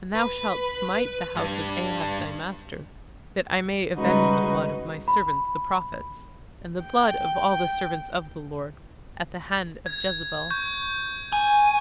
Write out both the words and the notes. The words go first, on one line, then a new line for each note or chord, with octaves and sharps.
And thou shalt smite the house of Ahab thy master, that I may avenge the blood of my servants the prophets, and the blood of all the servants of the Lord, at the hand of Jezebel....
B4
G2 G3
C#3 G3 G#3 D#4 F#4 B4
B5
G5
G#6
C#6 G6
G#5